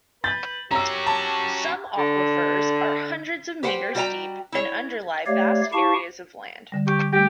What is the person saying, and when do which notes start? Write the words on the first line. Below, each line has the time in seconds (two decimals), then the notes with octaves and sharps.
Some aquifers are hundreds of meters deep and underlie vast areas of land.
0.24 B4 B5 G6 A6
0.71 C#4 F#4 G4 C#5 A#5 E6
1.07 A5
1.98 D3
3.63 G4 B4 C5 F#5 G5
3.95 G3 F#4 A#4 D5 G5 A#5
4.52 E4 C#5
5.26 A3 G4 C#5 D5 F5
5.73 E4 G4 F5 A5 C#6
6.72 D3 G3
6.87 G4 C#6
7.12 G3 A3 G4